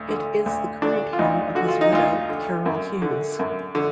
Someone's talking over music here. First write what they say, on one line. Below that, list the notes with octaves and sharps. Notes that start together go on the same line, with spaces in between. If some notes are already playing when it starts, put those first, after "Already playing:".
It is the current home of his widow Carol Hughes.
Already playing: D2
D3
D2
D3 D4
F4
D2 D#4
D3 F#4
F4
D#4
D2 F4
D3
F#2
D3
F#2
D3